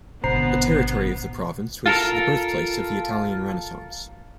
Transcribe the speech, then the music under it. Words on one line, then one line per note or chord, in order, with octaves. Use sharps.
The territory of the province was the birthplace of the Italian Renaissance.
G#1 B2 D3 B3 C5 A#5 C7
F4 A4 A#4